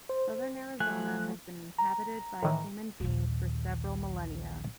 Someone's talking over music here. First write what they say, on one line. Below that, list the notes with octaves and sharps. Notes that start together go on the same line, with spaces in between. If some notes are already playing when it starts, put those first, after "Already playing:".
Southern Arizona has been inhabited by human beings for several millennia.
C5
F3 A3 G#5 F#6
A#5
A2 D#3 E3
A#1 D#2